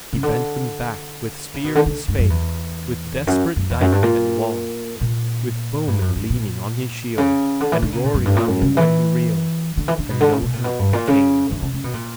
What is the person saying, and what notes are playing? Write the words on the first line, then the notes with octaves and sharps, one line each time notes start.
He bent them back with spear and spade, With desperate dyke and wall, With foemen leaning on his shield And roaring on him when he reeled; And no help came at all.
C#3
D3
C#3
B2
D3
D3
G2
F#2
E2
F#2
F#2
E2
F#2
G2
A#2
A#2
G2
F#2
F#2
A#2
C#3
D3
E3
D3
C#3
A#2
F#2
G2
A#2
F#2
C#3
E3
D3
E3
D3
B2
D3
C#3
B2
A#2
B2
G2
A#2
C#3
D3
C#3
C#3
B2
A#2